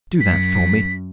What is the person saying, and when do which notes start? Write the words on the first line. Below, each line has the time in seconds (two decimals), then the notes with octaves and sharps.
Do that for me.
0.21 F#2 B6